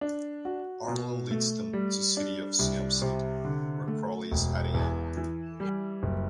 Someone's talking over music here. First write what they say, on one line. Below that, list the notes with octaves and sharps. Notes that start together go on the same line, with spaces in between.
Arlen leads them to city of Siam-Sid, where Crowley is hiding out.
D4
F#4
B2
A3
G3
D4
C2
C3
D3
A3
E1
E2
E3
G3
F#1